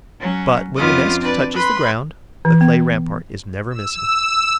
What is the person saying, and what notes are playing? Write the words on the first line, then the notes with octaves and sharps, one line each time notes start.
But, when the nest touches the ground, the clay rampart is never missing.
F#3 C#4
F2 B3 C#4 F4 D#5 D6
C4 D4 B4 D5
B4 B5 C6
E3
B3
E6